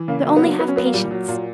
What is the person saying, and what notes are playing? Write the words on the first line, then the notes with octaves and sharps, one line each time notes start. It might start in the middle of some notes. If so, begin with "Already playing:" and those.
But only have patience!
Already playing: E3
C#3 A#3
F#3 A#3
B3
F#3 A#3
F#3 B3
C#4
F#3 B3
A#3
A#2 G3
F#3
A#2 A#3